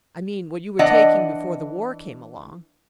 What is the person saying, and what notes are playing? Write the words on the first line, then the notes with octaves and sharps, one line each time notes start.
I mean what you were taking before the war came along.
E3 D4 D5 D#5 F#5